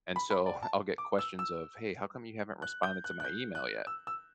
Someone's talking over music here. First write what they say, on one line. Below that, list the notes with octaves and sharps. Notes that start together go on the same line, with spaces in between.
and so I'll get questions of, "Hey, how come you haven't responded to my email yet?"
B5
B5
D5
A5
D6
E6
E6
F#6
G6
F#6
F#6
G6
F#6
E6
E6